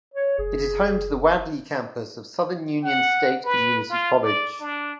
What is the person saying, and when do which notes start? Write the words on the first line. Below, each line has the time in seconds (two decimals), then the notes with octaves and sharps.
It is home to the Wadley campus of Southern Union State Community College.
0.14 C#5
0.38 F#1 G#4
2.83 F#5
3.45 B4
3.90 F4
4.22 D5
4.60 D4